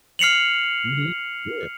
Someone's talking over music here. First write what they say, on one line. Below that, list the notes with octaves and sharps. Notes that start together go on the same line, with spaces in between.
Mhm. Yeah.
F6 C7 C#7 F7 F#7